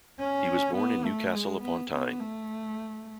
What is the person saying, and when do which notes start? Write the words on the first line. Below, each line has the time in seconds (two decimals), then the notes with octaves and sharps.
He was born in Newcastle-Upon-Tyne.
0.19 C#4
0.76 B3
1.04 A3
1.34 G#3
1.63 B3
1.91 B3
2.20 A3